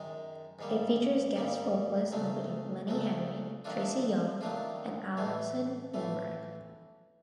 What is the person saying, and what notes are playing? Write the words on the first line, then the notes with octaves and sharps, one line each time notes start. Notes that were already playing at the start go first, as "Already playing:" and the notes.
It features guest vocalists, including Lenny Henry, Tracie Young, and Alison Limerick.
Already playing: F#2 D#3 G#3
G#2 D#3 G3 A#3
G#2 D#3 G3 A#3
D2 C#3 F#3 A3
D2 C#3 F#3 A3
D#3 F#3 A3 D4 F4
D#3 F#3 A3 D4 F4
A2 E3 A3
A2 E3 A3